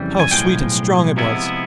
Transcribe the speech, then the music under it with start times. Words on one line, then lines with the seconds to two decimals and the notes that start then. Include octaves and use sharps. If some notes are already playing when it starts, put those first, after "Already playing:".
How sweet and strong it was!
Already playing: F2 C#3 E3 G3
0.20 G#5
0.31 B1 A2 F3 G#3 G5
1.17 C3 F3 G#3 B3 E4